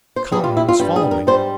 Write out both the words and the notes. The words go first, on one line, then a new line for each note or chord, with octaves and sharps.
"Come, you must follow me!"
C5
E2 E3 G3 G#4
F4
E4
F4
G2 G3 G4
G#4
A#4
G#2 G3 C5